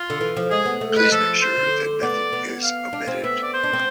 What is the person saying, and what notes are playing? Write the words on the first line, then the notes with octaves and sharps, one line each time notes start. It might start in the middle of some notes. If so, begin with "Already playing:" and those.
Please make sure that nothing is omitted.
Already playing: F4
D3
E3
F3
G#3 G#4
B3
A3
G#3 B4
F3 A4
C5
D3
B3 D5
B3
F5
D4
C4
B3 E5
D5
C5
D4
C4